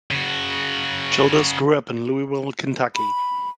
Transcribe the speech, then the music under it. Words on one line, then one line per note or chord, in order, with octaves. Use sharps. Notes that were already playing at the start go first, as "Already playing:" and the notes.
Childers grew up in Louisville, Kentucky.
C#3 F#4
B5